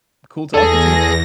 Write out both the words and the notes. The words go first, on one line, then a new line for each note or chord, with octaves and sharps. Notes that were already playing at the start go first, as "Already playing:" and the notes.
cool talking to you.
E2 G#4 A4 A5 A#6